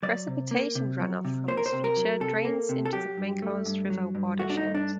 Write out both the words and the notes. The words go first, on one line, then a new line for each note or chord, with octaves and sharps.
Precipitation runoff from this feature drains into the Mancos River watershed.
F#3 D5
C3
A#3
C3
F#3
C3
A#3 C5
A#4
C5
C3
A#4
F#3
C3 A4
A#3
C3
A4
F#3 G4
G2
A3
G2
F#3
G2
A3 F#4
D4
D#4
G2
D4